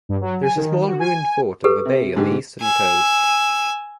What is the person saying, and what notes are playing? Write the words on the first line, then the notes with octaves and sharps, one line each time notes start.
There is a small ruined fort above a bay on the eastern coast.
G2
F#3
G#5
D#3
F#4
G#5
G4 A4 B4
C3
G#2 D3 G4
G#5 E6